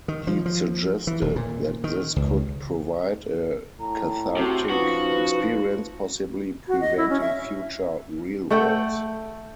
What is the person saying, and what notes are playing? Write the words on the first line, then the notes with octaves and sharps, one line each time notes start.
He suggested that this could provide a cathartic experience, possibly preventing future real wars.
D#3
F3
F3
E3
D#1
A#2
D#3
C#2
A2 A#5
C3 F#4
F3 C#4 D#4 F#4 B4
F#4
D#5
E4
C#4
E5
A3 A4 F#5 G5